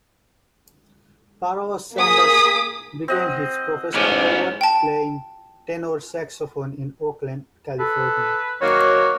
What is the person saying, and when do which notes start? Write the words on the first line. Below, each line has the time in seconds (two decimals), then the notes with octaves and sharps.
Pharoah Sanders began his professional career playing tenor saxophone in Oakland, California.
1.97 A#3 G#4 D#6 B6
3.08 C4 D#5 F#5
3.94 A1 G#2 B3 C#4 A#5 D6
4.61 G5 A5
7.80 A4 B4
8.61 D#3 F#3 A#3 F#4 C#5